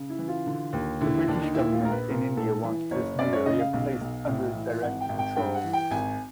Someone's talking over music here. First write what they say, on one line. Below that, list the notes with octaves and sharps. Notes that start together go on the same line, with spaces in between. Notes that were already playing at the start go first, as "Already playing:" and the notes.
The British government in India wanted this new area placed under its direct control.
Already playing: C#3
E4
E3
F4
D3
D#2
D3 E4
E4
D#2 D4
D#4
A#2 E4
F4
A#1 A#4
B4
A#2 A#4
A#1 A4
E3
F#1 C#5
F#2 D5
C#5
C#3 D#5
F5
B1
B1
A2
E3
G#1 F#5
G5
G#1
G5
G2 G5
F#5
E3
G5
G#1 G#5